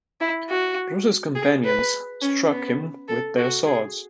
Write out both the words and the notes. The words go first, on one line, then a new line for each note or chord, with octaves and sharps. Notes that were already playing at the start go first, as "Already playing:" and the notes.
Bruce's companions struck him with their swords.
E4
F#4
G#4
B4
C#4
B3
A4
F#4
G#4